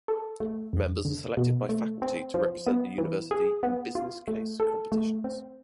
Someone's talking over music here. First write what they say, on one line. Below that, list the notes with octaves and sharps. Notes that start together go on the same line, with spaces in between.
Members are selected by faculty to represent the university in business case competitions.
A4
A3
F2
D3
B2
A3
C4
F3
B3
E3
G#4
B3
F4
A3
A4
A3
C4